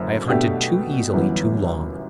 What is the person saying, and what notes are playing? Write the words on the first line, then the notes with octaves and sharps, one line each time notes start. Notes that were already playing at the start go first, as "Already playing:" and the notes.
I have hunted too easily too long.
Already playing: F#1 F#2 D3
B2 A3 D4 G4
G1 F#2 E3 B3